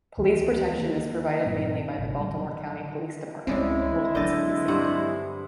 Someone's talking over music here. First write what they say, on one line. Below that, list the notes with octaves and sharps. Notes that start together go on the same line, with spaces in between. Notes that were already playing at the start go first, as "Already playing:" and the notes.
Police protection is provided mainly by the Baltimore County Police Department, Wilkens Precinct.
D2 D#3 E3
D#3 A#3
G2 A#2 F#3 C4
G#1 A2 C3
C#3 F#3 G3
C#2 G3 G#3 C4 C#4 E4 D5
D3 F#3 C4 D#5 G6 A6
G2 C5 F#5